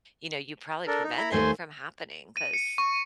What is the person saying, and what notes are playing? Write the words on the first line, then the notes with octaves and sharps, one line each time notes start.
you know, you probably prevented from happening, 'cause
D4 A4 A#4
D#4
E4 A#5 B5
D#2 D#3 A3 C5 G#5 C6
D#7
C#7
C#6